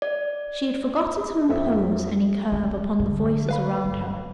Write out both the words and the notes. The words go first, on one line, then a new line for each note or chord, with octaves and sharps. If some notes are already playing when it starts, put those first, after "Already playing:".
She had forgotten to impose any curb upon the voices round her.
D5
F2 A4 E5
C#4
D3
B4 F5 B5
G1